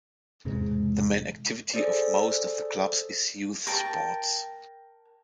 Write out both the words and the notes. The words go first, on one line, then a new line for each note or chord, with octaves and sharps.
The main activity of most of the clubs is youth sports.
E1 G#2 C3 G#3
G#4 A4 C5 D5
A#4 G5 A5